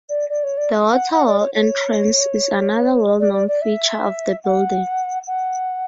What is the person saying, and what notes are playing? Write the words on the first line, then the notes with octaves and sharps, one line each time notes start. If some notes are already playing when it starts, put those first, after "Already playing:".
The water-wall entrance is another well-known feature of the building.
D5
D5
C#5
D5
F#5
F#5
D5
C#5
C#5
D5
D5
D5
E5
F#5
F#5